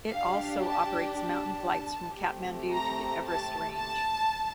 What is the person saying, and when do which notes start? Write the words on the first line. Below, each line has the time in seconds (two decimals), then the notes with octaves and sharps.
It also operates mountain flights from Kathmandu to the Everest range.
0.11 D4 G4 F5
0.63 A5
1.15 A5
2.21 A3 C4 G4
2.72 A#5
3.25 A5
3.77 A5